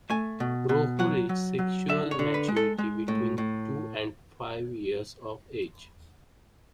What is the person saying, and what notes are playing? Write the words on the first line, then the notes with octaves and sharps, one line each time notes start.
Rohu reach sexual maturity between two and five years of age.
A3 G#5
B2
B2
F#3 F#5
F#3
F#3
D3 E5
C#5
D3
B4
G#3
A4
G#3
A2
A2